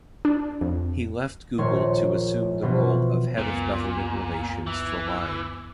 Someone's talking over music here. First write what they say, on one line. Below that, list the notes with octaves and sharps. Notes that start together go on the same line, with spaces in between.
He left Google to assume the role of head of government relations for Lime.
D4
F2
D#1 A#1 A#2 A#4 C#5 C6
B2 E3 F3 B3 F4
C#2 F#2 A#2 B3
E3